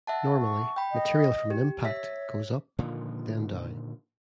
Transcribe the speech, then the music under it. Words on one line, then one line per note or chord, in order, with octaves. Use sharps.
Normally, material from an impact goes up, then down.
E5 F#5 A5
C#6
G5 B5
D#5
G4
C#5 E5 B6
A#2 D3 D#3 F3